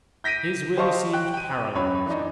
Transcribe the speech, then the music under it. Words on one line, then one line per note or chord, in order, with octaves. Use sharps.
His will seemed paralysed.
G6 A#6 B6 D7 D#7
G4 C5 D#5 F5 A5 C#6
G5 F#6
G5 D#7
F#2 C#5 B5
E3 D4 D#4